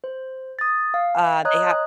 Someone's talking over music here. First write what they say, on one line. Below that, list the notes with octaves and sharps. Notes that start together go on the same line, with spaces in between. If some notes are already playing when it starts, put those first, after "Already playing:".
U uh, they ha
C5
D#6 A6
F5
C#5 D#5 A#5 D#6 F#6